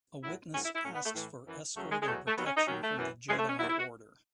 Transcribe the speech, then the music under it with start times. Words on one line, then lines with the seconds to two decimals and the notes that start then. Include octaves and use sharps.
A witness asks for escort and protection from the Jedi Order.
0.24 A2 F#3 E4
0.54 G#2 D#3 F#3 C#4
0.65 E4
0.75 E4
0.85 A2 F#3 C#4
0.95 B3
1.05 A3
1.15 A2 E3
1.46 F#2 E3
1.76 E2 C#3 F#3 A3
1.91 G#3
2.02 G#3
2.07 E2 B2 F#3 A3
2.27 A3
2.37 D#2 D#3 F#3 B3
2.47 C#4
2.57 D#4
2.68 D#2 D#3 F#3 C#4
2.83 A3
2.98 F#2 E3
3.28 F#2 C#3 E3 G#3
3.39 A3
3.49 C#4
3.59 D#2 D#3 F#3 E4
3.69 E4
3.79 F#4